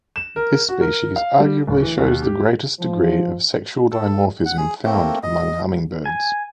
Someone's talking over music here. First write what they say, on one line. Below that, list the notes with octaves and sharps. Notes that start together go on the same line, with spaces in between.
This species arguably shows the greatest degree of sexual dimorphism found among hummingbirds.
E7
A#4
F#4
A#4
F5
G3
D1
E3
D#2
G4
F3
A4
F#5
G#4
A3 A#3 C4
D#5
G#5